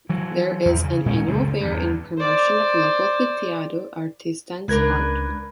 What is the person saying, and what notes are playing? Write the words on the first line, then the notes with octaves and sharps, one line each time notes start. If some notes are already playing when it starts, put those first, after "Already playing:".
There is an annual fair in promotion of local piteado artisan's art.
E3 F#3
E2
C#3
A#2 G#3 C4 C#4
F#1 C#2 A2 D3
E2 G2
C5 D5
C#2 D4 A#4 B4 G#6